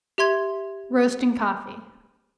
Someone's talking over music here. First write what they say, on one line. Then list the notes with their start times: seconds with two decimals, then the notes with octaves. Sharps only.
Roasting Coffee.
0.18 G4 E5 C6 G#6